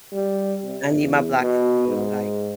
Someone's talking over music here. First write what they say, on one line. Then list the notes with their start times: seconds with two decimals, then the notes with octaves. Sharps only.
I need my blocks to be, like
0.12 G3
0.65 C3
1.01 E2
1.41 B2
1.88 G#2